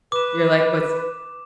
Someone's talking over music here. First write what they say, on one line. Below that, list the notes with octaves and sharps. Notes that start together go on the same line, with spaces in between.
You're like, "What's
B4 D6 E7